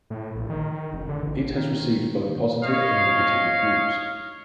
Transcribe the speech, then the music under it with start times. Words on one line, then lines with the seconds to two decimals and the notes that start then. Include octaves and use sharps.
It has received both positive and negative reviews.
0.10 A2
0.35 A#1
0.50 D#3
0.72 D#3
0.93 F1
1.09 D3
1.23 A1
1.57 D#3
2.62 C#5 D#5 F5